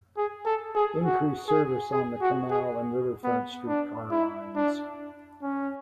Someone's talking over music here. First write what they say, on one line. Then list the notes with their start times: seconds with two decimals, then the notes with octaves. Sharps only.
Increase service on the Canal and Riverfront streetcar lines.
0.18 G#4
0.46 A4
0.76 G#4
1.05 F#4
1.48 G#4
1.92 G#4
2.22 F#4
2.50 G#4
3.24 B3
3.68 D4
4.11 E4
4.56 D4
5.42 C#4